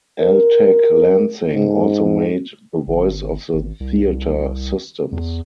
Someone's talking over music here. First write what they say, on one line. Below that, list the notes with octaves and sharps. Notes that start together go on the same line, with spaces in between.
Altec Lansing also made the Voice of the Theatre systems.
A#4
G#2
G1
G#1
C2
E2